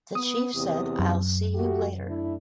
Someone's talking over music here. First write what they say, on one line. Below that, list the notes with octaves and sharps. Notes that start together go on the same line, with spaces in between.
The Chief said, 'I'll see you later.
B3 D#6
E2 C3
F#2
A3 F#4 G4
A3 D4 E4